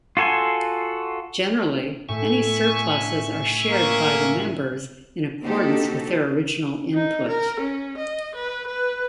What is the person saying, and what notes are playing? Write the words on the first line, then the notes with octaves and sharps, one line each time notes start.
Generally, any surpluses are shared by the members in accordance with their original input.
F4 F#4 A4 G#5 C6
A2 E5 G#5 C#6
A#3
A#3 C4 D#4 F#4 G4 A4
D#4
A#4
C#4
D#5
B4
B4